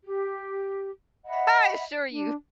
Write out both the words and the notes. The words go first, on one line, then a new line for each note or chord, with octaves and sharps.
I assure you.
G4
D#5 E5 F#5 B5
D4